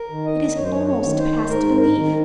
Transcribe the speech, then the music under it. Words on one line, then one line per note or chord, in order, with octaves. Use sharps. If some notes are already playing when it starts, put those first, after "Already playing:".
It is almost past belief.
Already playing: A#4
D#3
D#5
F#2 C#5
C5
C#5
C#5
D#3
C5
G#2 A#4
A#4
D#3